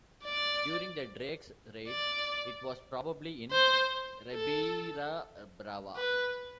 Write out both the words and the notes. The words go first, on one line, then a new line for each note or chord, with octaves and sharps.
During the Drake's raid, it was probably in Ribeira Brava.
D5
D5
C5
A4
B4